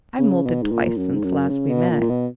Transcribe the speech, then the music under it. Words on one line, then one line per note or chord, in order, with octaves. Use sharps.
I've moulted twice since last we met.
C#3
B2
G#2
A#2
F#2
G#2
F#2
C#3
B2
A#2
A#2
B2